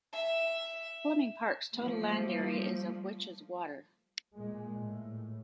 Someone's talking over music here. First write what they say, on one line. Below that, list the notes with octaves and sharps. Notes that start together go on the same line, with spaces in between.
Fleming Park's total land area is of which is water.
E5
F3 G3 A3 A#3
A#2 G#3
A2